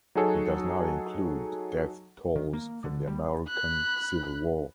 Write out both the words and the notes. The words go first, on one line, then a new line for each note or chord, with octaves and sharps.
It does not include death tolls from the American Civil War.
F#3 D#4 F#4 G#4 A4 C#5
D#3
A#3
D3
G3
B5 F#6